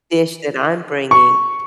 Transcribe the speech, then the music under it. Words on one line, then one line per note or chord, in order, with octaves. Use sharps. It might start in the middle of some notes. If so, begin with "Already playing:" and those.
dish that I'm bringing."
C#6